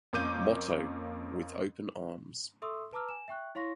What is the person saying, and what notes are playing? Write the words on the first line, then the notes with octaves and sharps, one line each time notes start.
Motto: With Open Arms.
F2 A#3 C#4 D6 G6 D#7
A4 E5 C6 C#6 D#6 E6
B4 A5 A#5 D6 E6 F6
G#5 E7
E5 G5 C#6 F#6
E4 C#5 F5 C6 C#6 A#6